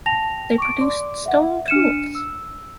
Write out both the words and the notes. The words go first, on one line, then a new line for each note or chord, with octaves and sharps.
They produced stone tools.
G5 A5 A#6 F7
C#6 D6 D7
D5 C6 D6
E5 F#5
D4 F6 C#7 D#7 E7
E6